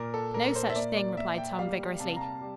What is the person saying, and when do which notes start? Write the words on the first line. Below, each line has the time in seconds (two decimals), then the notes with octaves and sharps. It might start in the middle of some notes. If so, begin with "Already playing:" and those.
"No such thing," replied Tom vigorously.
Already playing: A#2 A#4
0.14 A4
0.34 A#2 A#4
0.50 A#4
0.56 C5
0.69 E5
0.76 A#3 D5
0.97 D5
1.17 A#3 E5
1.38 G5
1.59 G3 F5
2.00 C3 A5
2.16 A#5
2.21 A5
2.41 G3